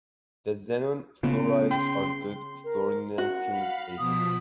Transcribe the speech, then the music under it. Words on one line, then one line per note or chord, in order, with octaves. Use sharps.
The xenon fluorides are good fluorinating agents.
C#3 A3 B3 F4
G5 C6
A#4
F#4 F#5
F5 B5
B2 F3 D#6 B6